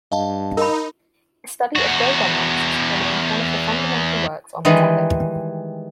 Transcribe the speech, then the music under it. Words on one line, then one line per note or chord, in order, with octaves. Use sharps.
His study of Dogon masks remains one of the fundamental works on the topic.
G2 D#5 F5 A5
D#4 A#4 B5
E2 F#4
D#3 E3 G3 G#3